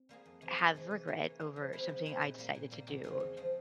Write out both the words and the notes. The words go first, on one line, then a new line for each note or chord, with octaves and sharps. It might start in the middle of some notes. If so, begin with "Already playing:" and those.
have regret over something I decided to do,
Already playing: C4
G3 A#3 F4 G#4
F2
C3 E3 G#3
F2
C3 E3 G#3
E3
A#3 C#4
E3
A#3 C#4
F3
G#3 C4 E4 G4
F3
G#3 C4 E4 G4
A#2
G3 A#3
A#2
G3 A#3
E2
C#3 F3 G#3 C4
E2
C#3 F3 G#3 C4